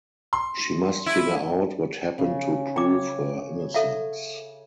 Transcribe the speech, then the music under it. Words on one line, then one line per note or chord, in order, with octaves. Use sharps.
She must figure out what happened to prove her innocence.
C6
E4
C#3
C#5 G5 D6
A4 E5 F5